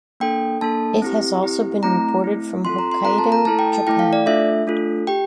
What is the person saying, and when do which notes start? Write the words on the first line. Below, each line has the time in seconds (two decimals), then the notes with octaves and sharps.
It has also been reported from Hokkaido, Japan.
0.20 A#3 D4 A4 G5
0.61 A#3 D4 A4 A5
1.02 C4 E4 G4
1.43 C4 E4 G4
1.83 A3 C4 E4 A#5
2.24 A3 C4 E4
2.64 C4 F4 A4 C6
2.79 A#5
2.91 C6
3.05 C4 F4 A4 A#5
3.18 A5
3.32 A#5
3.45 A3 E4 A4 A5
3.59 G5
3.73 A5
3.87 A3 E4 A4 G5
3.99 F5
4.13 D5
4.26 A3 D4 F4 A4 E5
4.67 A3 D4 F4 A4
5.07 G4 G5